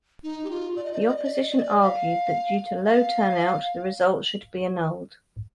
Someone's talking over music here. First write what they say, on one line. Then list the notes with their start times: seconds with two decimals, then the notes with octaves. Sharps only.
The opposition argued that due to low turnout the results should be annulled.
0.24 D#4
0.44 G4
0.50 F4
0.76 D5
0.84 D#5
0.93 D5
1.00 D#5
1.08 D5
1.16 D#5
1.24 D5
1.33 D#5
1.41 D5
1.49 D#5
1.57 D5
1.81 F5
2.85 F5